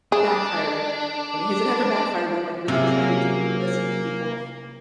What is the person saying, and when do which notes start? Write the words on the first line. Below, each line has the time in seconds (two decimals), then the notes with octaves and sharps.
backfired on me? Has it ever backfired when I'm, like, really trying to deeply listen to people?
0.12 D4 G#4
2.68 C3 F#3 A#3 C#4 G#4 F5